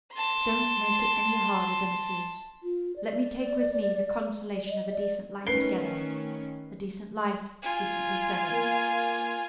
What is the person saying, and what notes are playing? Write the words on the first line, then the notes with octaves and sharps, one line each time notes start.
"Don't make it any harder than it is. Let me take with me the consolation of a decent life together--a decent life decently severed."
A5 C6
F4
D5
D5
D5
D#5
D5
D#3 A3 C#4 B4 C7 G7
F4 G#5
A#3